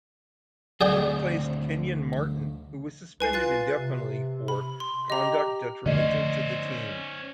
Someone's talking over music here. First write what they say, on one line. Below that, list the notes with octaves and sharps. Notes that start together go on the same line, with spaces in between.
He replaced Kenyon Martin who was suspended indefinitely for "conduct detrimental to the team".
D2 C4 G#4 D5 G5
C2 B4 G#5 C7
F4 F#6 A6 C7
C3
B5
C6
G4 D#5 A#5
D3 F3 A3 C#4 C5 D5 D#5